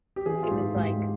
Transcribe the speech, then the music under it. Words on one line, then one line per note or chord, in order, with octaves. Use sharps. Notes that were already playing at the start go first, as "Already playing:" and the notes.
it was like
G4
E3 G#4
F4
G#2 G4
G#2 G4
G#3